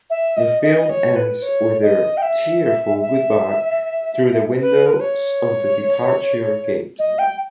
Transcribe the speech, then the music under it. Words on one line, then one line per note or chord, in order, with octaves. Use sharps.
The film ends with their tearful goodbye through the windows of the departure gate.
E5
D#5
D#5
C#5
B4
C#5
D#5
G5
E5
E5
B4
A#4
B4
C#5
D#5
G5